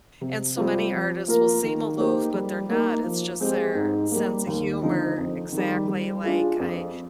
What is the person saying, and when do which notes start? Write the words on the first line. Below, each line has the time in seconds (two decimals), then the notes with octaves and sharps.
and, so many artists will seem aloof, but they're not, it's just their sense of humor exactly like I
0.21 C3
0.57 G3 C4 F4
0.92 F3
1.28 A#3 F4 A#4
1.63 D#3
1.98 A#3 D#4 G4 C5
2.34 G3
2.69 A#3 D#4
3.04 F3
3.40 G#3 C4 G4
3.75 G#2
4.12 G3 A#3
4.47 D#2
4.82 D3 F3 C4 D#4
5.18 F2
5.53 D#3
5.58 G3
5.88 G3
6.24 D4 F4 G#4
6.60 F2